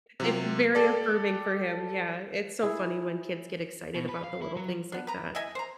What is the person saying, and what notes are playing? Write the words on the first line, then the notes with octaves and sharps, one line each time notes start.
It's very affirming for him. Yeah, it's so funny when kids get excited about the little things like that.
C3 F#3 F4
G4 A4 D5
E4 G#4
B2
B4
F5
E4
F#3
B3 D4
B4 A#5
E4 D#5 E5 G#5
C5 A#5